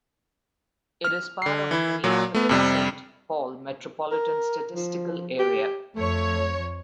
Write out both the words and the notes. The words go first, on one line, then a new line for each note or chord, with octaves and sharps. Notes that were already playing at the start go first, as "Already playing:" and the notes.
It is part of Minneapolis St.Paul metropolitan statistical area.
F6
D3 C7
E3 E4
A#2 F#3
A3 B3
F2 C3 G3
A#4
F3
G4
F2 F3 A3 C#5